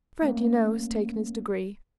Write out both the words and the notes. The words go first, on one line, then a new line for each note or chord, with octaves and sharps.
Fred, you know, has taken his degree.
A3 A#3 C#4